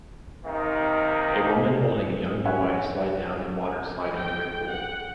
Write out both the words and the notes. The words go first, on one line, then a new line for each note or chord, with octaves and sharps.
A woman holding a young boy slide down a water slide into a pool.
C3 D#3 A#3 D#4
C#4 E5 F#5 G#5
G5
F#5